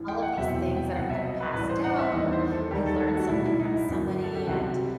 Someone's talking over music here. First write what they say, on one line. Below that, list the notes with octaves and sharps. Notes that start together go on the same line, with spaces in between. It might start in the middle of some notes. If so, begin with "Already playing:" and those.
all of these things that are kind of passed down or you learn something from somebody and
Already playing: A1 A2
G5
F#5
E1 E2 C3 F#3 E5
G5
G5
C2 B2 F#3 F#5
E5
D#5
B4
A1 A2 G3 B4
C5
F#5
E5
E2 D#3 G3 D#5
C5
A4
D#2 D#3 G3 G4
A4
A4
F#4
B1 A2 G3 E4
E4
D#4
E4
G1 F#2 F#3
A4
G4
C2 C3 F#3 F#4
G4